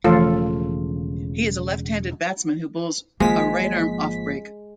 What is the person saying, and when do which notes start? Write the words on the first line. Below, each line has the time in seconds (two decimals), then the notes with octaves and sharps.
He is a left-handed batsman who bowls a right-arm off break.
0.04 E1 C#3 E3 F3 A3 F4 A4
3.20 G#1 F3 G#3 A#3 B6